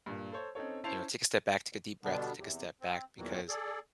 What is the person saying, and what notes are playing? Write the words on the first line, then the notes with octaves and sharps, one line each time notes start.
you know, take a step back, take a deep breath, take a step back because
G2 A#2
A4 C5 C#5
C4 C#4 D#4 A4 C#5
C#4 E4 C5 A5 C7 F7
B2 D3 G3 B3 D4
E2 C3
C4
E2 A#2 D#3 E3 F#3
G#4 A4 D5